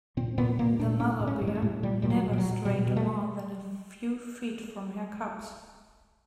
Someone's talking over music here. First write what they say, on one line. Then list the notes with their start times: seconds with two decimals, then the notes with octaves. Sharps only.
The mother bear never strayed more than a few feet from her cubs.
0.17 A#2 C4
0.38 A#2 B3
0.59 A#2 A#3
0.79 A#2 D4
1.00 A2 C#4
1.21 A2
1.27 C#4
1.41 A2
1.47 G#3
1.55 A3
1.62 A2
1.83 A#2 G3
2.02 A#2 G3
2.10 F#3
2.24 A#2
2.33 G3
2.38 F#3
2.45 A#2
2.65 B2 G3
2.87 B2
2.96 A3